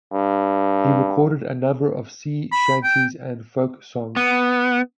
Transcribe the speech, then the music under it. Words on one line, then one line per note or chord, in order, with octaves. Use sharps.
He recorded a number of sea shanties and folk songs.
G2
B5
G5
B3